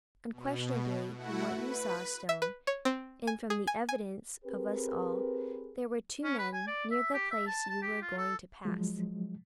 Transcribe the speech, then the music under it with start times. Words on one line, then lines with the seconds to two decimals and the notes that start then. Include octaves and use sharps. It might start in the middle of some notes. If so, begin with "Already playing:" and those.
Unquestionably, from what you saw, Stone, and from the evidence of us all, there were two men near the place you were going to pass.
0.32 B2
1.15 A3 E4 F#4 F#5
1.54 B4
2.29 E5
2.42 B4
2.67 C#5
2.85 C4
3.27 G#5
3.50 G#4
3.67 G#5
3.89 G#5
4.45 C4 G4 G#4 A#4 B4
6.24 C#4
6.38 B4
6.53 G#5
6.67 D5
6.91 E5
7.14 G4
7.31 E5
7.47 A5
7.70 A5
7.82 G4
8.02 F4
8.18 A4
8.65 F3 F#3 G#3